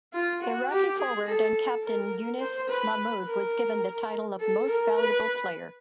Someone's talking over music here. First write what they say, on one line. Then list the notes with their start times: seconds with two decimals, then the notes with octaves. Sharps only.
Iraqi forward and captain Younis Mahmoud was given the title of Most Valuable Player.
0.13 F4
0.41 F#4
0.70 G4
0.99 G#4
1.27 A4
1.84 A#4
2.40 C5
2.69 B4
3.26 A#4
4.40 A4
4.68 A#4
4.97 B4